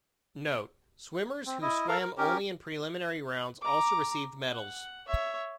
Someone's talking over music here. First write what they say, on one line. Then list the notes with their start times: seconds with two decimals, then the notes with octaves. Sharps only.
Note: swimmers who swam only in preliminary rounds also received medals.
1.46 C4
1.62 E4 D#5
1.88 A4 A#4 F5
2.00 A#4
2.17 C#4 G4 A#4
3.61 A#5 D6
4.48 F#5
5.07 C#5 E5